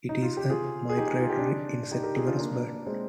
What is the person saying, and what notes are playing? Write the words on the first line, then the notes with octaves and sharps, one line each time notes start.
It is a migratory insectivorous bird.
D#4
F4
G4
F4 G#4
G#4
D#4 G4
F4
G4
D4 F4
D#4 G4
G4 A#4
F4 G#4
D4 F4
A#3 D4
G#3 C4